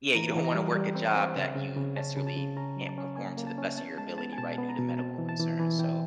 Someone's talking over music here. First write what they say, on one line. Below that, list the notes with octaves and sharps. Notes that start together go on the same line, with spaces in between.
Yeah, you don't wanna work a job that you necessarily can't perform to the best of your ability, right, due to medical concerns, so,
E3 A#5
E3
A#5
G3
G3
C4
C4
C#3
C#3
C#3
C#4 A5
C#3
A5
C#3
C#4 A#5
F#3
A5
C#4
A#3 G#5
A#3
A5
C#4
B3 A5
G#3 A5
B3 A5
G#5
B2 A5
B3
A#5
B2
C4 A5
E3
A5
E3
E3 G#5
E3 G5